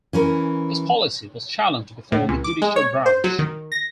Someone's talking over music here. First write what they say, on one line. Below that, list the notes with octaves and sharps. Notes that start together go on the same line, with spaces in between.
This policy was challenged before the Judicial branch.
E3 C#4 A#4
A2
C#2
D6
G#3
C#5
C5
F#3
D#3
A#6